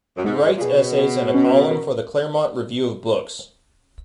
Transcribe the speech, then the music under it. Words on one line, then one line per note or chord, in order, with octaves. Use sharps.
He writes essays and a column for the "Claremont Review of Books".
F#2
G#2 G#3
A#2
B2 G#4
G#4
C#4
A#4